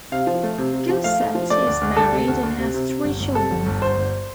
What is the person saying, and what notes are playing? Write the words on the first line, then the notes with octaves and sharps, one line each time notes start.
Gossett is married and has three children.
C3 F5
F3
A3
C3
C3
F3
A3 F5
A3
F3
A3 D5
D2
D2
D2 A4
C3
D2
D2
C3
C3
C3
G1
G1
C3 A4
G1
G1
G1 C5
G1